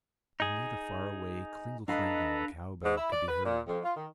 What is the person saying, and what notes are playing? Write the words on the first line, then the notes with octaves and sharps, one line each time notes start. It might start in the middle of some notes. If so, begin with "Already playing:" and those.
Only the far away klingle-klangle of a cow-bell could be heard.
D#4 G#4
D4 A4 B4 D#5 F5 A#5
G#2
E4
D5
B4
A#2
F2
F4
D#3